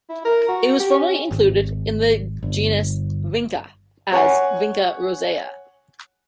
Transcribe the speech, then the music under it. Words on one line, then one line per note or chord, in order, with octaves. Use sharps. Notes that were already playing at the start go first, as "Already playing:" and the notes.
It was formerly included in the genus "Vinca" as "Vinca rosea".
E4
A#4
F#4
G4
C#4
G#1
G1
C#5 F#5 G#5